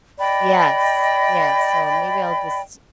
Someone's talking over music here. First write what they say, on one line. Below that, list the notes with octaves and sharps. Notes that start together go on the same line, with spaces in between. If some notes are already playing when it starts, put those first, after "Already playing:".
Yes, yes. So maybe I'll just
D5 D#5 G5 B5